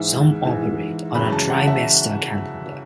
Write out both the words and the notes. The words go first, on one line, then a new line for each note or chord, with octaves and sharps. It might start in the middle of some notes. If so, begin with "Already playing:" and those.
Some operate on a trimester calendar.
Already playing: G#2 E3 G#3 E5
G#2 E3 G#3
F#2 C#3 E3 G#3 B5
A5
F#5
E5